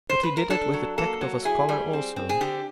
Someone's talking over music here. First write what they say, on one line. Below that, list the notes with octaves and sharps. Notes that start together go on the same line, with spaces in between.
But he did it with the tact of a scholar also.
C5
B4
A#4
D4 A4
F#3
A#3 A4
F#3
E4 G#4
G3
C4
C4
G#4
D3 G4